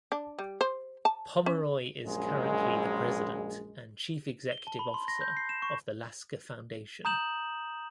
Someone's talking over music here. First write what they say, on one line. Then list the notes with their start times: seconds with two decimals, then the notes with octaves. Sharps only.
Pomeroy is currently the president and chief executive officer of the Lasker Foundation.
0.12 D4
0.39 G3
0.61 C5
1.05 A5
1.46 C#4
2.05 A#1 F#2 G#3
4.52 G7
4.67 A5
4.79 B5
4.94 C6
5.08 A#6
5.21 G6
5.37 C7
5.49 E7
5.62 C#6
7.05 A#5 D#6 G6 E7 F#7